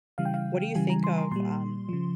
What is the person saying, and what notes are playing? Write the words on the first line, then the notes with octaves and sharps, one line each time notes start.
What do you think of, um
C#3 E3 G3 F5
G5
F5
C#3 E3 G3 G#5
A#5
C6
C6
A#2 G3 C6
C#3 F3